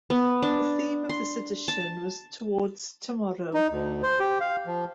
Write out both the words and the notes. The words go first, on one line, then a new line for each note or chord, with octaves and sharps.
The theme of this edition was "Towards Tomorrow".
B3
D4
C6
A5
D#4
D2
C5
G4
F5
F3